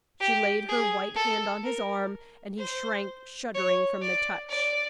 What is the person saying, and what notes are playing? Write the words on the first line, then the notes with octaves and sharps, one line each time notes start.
She laid her white hand on his arm, and he shrank shuddering from the touch.
G4
G#4
A4
A#4
C5
C#5
D5
D5